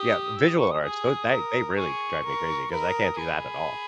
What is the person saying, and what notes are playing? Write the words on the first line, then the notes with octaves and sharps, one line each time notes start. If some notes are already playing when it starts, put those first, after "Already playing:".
Yeah, visual arts, those that they really drive me crazy 'cause I can't do that at all.
Already playing: G4 D#6
E6
D#6
C#6
D#6
G#4 D#6
A#4
G#4 C#6
A#4
A#4 B5
D#6
D#6
G#4 B5